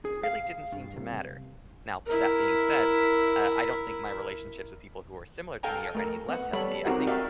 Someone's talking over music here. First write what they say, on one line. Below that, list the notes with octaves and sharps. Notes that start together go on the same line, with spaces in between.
really didn't seem to matter. Now, that being said, uh, I don't think my relationships with people who are similar to me are any less healthy. I think
G#4
F5
G2
C2
E4 A#4
A4 F5 G5 G#5 A#5
A3 A#4
B3 F#5
G3 A4 C#5 B5
C4 D#4 F#4 G4 A#4 F#5
F#4 A#4 D5 E5 F5 G5